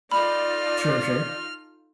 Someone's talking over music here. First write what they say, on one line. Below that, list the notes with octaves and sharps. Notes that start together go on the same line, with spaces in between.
Sure, sure.
D#4 F4 A4 D5 B5 F6